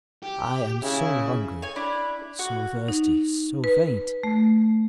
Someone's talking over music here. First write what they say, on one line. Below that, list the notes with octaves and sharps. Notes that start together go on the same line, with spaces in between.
I am so hungry, so thirsty, so faint!
G4
C#3 E4
C#5 G#5
D4 E4 B5
F#4
D#4
B4
A3